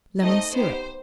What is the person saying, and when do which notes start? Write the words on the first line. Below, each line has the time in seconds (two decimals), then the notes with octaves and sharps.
Lemon Syrup.
0.22 A3 C4 D#4 D#5
0.55 B3 D#4 G4 C5